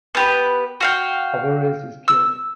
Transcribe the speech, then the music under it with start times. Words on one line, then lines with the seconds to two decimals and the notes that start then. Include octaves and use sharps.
Alvarez is killed.
0.15 B3 G4 B4
0.80 F#4 F5 G5
2.08 E6